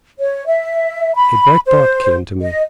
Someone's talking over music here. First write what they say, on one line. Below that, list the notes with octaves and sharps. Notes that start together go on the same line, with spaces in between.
A bright thought came to me.
C#5
E5
B5
C5
D#5